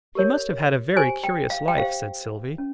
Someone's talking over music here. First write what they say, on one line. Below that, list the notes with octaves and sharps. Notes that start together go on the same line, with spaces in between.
"He must have had a very curious life," said Sylvie.
G4 A#4 C#5
G4 C5 G#5
G5
F5
G5
G4 C5 F5
C#4